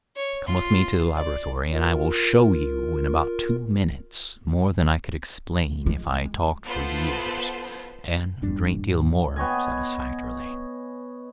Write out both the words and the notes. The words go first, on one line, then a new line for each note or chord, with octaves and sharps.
"Come with me to the laboratory, and I will show you in about two minutes more than I could explain if I talked for years, and a great deal more satisfactorily."
C#5
F4 C6
D5
F4 A#4
G#3
B3 E4 F4 A4 B4 C5
D#1 G2 G3 D4
G#2
B3 C#5 D#5 G#5